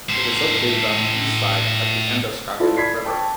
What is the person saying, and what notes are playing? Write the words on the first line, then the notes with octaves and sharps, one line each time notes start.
It is located on the east side of the Androscoggin River.
A2 C5
E4 F4 A4 D5 D#5
B5 G#6 B6 C7
G5 A5 C#6 D6